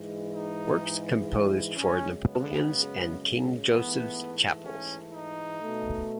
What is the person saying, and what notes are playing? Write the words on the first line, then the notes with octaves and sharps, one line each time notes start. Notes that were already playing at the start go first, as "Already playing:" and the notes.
Works composed for Napoleon's and King Joseph's Chapels.
Already playing: G#2 E3 G#3
D#4
F#2 C#3 G#3 C#4
B3
G#2 E3 A3 B3
C#4
D#4
B2 A3